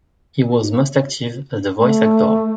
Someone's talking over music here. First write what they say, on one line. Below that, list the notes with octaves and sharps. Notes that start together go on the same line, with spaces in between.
He was most active as a voice actor.
A3